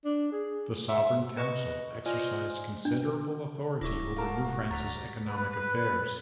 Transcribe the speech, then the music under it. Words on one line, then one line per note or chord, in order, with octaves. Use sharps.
The Sovereign Council exercised considerable authority over New France's economic affairs.
D4
G#4
E5
B4 D#5 C#6
F4 C5 D5 D#5 G#5 F6
D4
D1 E4 C#6 D6 A#6
F4 F#4 A#4 A5
D2 A#5 A6 B6 F7
B4